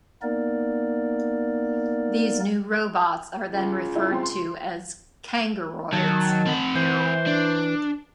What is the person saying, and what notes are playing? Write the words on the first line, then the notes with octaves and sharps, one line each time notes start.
These new robots are then referred to as 'kangoroids'.
A#3 B3 D#4 A#4 D5
C#2
E4
C4 C6
C6
D#3 F#3 A5
C4 F#5
E3 C5
D4